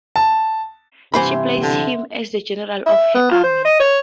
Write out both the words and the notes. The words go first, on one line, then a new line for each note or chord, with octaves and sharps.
She placed him as the general of her army.
A5
G2 C3 E3 C5 E5 F#5 B5 C6
D3
E5
B3
F4
C5
D#5
C#5